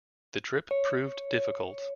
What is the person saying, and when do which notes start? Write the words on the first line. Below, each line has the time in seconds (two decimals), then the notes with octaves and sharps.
The trip proved difficult.
0.71 C#5